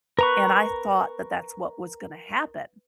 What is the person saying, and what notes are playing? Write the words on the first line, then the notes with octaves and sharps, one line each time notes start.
And I thought that that's what was gonna happen,
A#4 B4 A#5 C#6